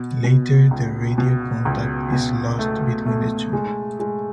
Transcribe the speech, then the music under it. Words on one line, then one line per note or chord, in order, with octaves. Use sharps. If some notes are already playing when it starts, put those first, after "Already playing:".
Later the radio contact is lost between the two.
Already playing: B2
B2
C#2
B2
C#2
B2
A3
A3
G#3
G#3